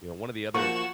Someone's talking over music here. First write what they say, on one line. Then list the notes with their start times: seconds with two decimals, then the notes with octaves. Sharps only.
you know, one of the other
0.55 F3 A#3 F#4 C#6 E7